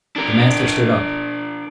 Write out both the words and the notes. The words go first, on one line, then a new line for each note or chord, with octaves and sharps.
The master stood up.
D4 A#4